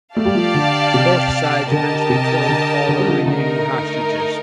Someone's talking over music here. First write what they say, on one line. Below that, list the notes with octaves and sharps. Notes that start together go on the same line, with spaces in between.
Both sides eventually killed all their remaining hostages.
A3 G4 D5 F5 A5
G3
F3 A3
D3
C3
D3 G4 A#4 D#5 A5
C3
D3
D3
G3
D3 F3
D3 A3 D#4 A#4